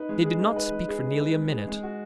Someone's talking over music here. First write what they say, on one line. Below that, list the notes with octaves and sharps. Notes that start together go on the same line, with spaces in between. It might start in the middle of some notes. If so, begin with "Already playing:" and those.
They did not speak for nearly a minute.
Already playing: D#4 B4
G#3
G#4
D#4
B4
G#3
G#4
D#4
B4
G#3
G#4
G#3
F#4